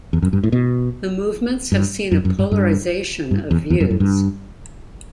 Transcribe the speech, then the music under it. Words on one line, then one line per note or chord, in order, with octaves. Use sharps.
The movements have seen a polarization of views.
E2
F#2
G2
A2
B2
G2
F#2
F#2
G2
G2
G2
E2
E2
F#2
F#2
G2